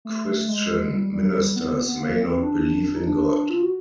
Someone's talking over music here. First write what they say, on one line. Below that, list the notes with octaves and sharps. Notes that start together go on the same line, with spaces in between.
Christian ministers may not believe in God.
A3
G#3
G3
G3
F#3
G3
B3
B3
B3
A#3
C4
D4
D4
D#4
D4
F4
F#4